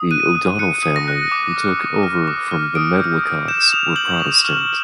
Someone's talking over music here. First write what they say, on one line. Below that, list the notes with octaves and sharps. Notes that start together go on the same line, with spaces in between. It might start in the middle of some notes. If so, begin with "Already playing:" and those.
The O'Donel family, who took over from the Medlycotts, were Protestant.
Already playing: D#6
F#6 D#7
D#6
F#6 C#7
D#6
A#6
F#6
D6
F6
D6
F6
D6
F6
D#6 D7
G6
D#6
G6 E7
D#6 F7
G6 F#7
C#6
F6